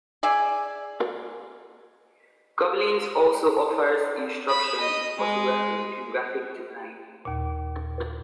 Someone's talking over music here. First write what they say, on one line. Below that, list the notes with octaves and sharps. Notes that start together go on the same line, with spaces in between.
Gobelins also offers instruction in photography and graphic design.
G#4 D5 E5 G#5
B5
D#5
G#3
D#2 A#2